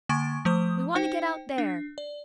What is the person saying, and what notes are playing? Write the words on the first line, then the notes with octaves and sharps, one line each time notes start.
We want to get out there.
D3 A#3 G#5 C#6 A6 D7
F3 A3 C5 D#6
D#4 C5 G5
D4
D5